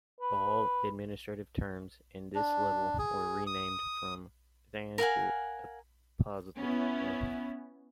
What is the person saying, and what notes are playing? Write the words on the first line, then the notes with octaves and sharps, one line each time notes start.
All administrative terms in this level were renamed from "thana" to "upazila".
B4
D4
G#4
D#6
A#4 F5 F#5 G#5
B3 C#4 E4